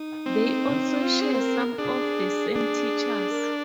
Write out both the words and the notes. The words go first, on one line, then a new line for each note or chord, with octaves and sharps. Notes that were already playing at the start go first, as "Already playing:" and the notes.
They also share some of the same teachers.
Already playing: D#4
C4
F4
G#4
C5
A#4
A#4
D4 G#4
D4
A#4